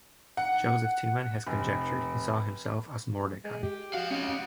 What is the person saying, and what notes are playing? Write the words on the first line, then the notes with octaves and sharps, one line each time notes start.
Joseph Tuman has conjectured he saw himself as Mordecai.
F#5
F1
G#3
G4
F3 F#4 F5
C#4 D#5